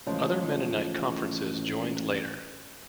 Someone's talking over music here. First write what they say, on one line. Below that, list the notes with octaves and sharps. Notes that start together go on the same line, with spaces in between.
Other Mennonite conferences joined later.
A1 C#3 F3 G#3